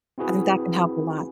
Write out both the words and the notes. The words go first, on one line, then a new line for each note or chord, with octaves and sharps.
I think that can help a lot,
C4 E4 F#4 G#4 B4